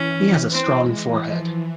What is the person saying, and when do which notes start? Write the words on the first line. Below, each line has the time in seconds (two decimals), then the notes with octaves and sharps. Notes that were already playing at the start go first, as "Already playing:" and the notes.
He has a strong forehead.
Already playing: E3 C#4
0.53 C4
0.90 G#3
1.26 E3 F3